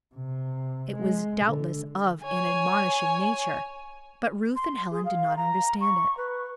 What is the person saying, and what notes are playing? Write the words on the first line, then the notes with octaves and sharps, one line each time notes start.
It was doubtless of an admonishing nature, but Ruth and Helen did not understand it.
C3
G#3
D3
C#5 G#5
C6
G#4
F5
A#5
C#6
B4